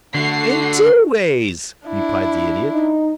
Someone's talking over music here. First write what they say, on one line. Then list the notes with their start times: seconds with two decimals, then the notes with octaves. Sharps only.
"In two ways," replied the Idiot.
0.15 D3 A3 F#4 C7
1.87 D4 E4
2.73 D#4